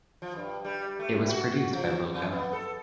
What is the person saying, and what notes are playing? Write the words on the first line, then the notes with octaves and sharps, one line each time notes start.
It was produced by Lil Jon.
F3
G2
G3
A3
G2
F#4
F3
E2
B3
A4